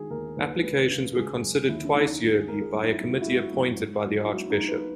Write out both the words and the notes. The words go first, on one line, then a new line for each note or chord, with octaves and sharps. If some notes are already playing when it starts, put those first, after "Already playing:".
Applications were considered twice yearly by a committee appointed by the archbishop.
Already playing: D#3 G#3 F#4 G#4
D#2 A#4
D#2 B4
G#3 B4
C#3
G#3 G#4
F#2
D#2 E4
C#4
D#2 D#4
D#3
G#4
G#3 A#4
G#4
F#2
D#4
E4
F#2
F#4
E4
G#3
F#4
F#2
G#2
F#3
E4
F#3 F#4
D#4
F#3
B4